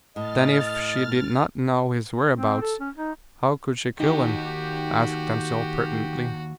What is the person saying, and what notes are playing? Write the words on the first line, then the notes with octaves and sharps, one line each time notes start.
"Then if she did not know his whereabouts, how could she kill him?" asked Denzil pertinently.
A2 D#5 F6 A6
C4
A4
C#4
D#4
D#2 D#4 F#4 G4